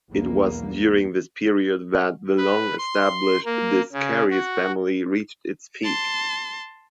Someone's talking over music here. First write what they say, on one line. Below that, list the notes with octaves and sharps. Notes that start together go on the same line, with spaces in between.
It was during this period that the long established Descarries family reached its peak.
B1 E2 A#3
B4
C6
A#3
C#3
F#4
A5 C6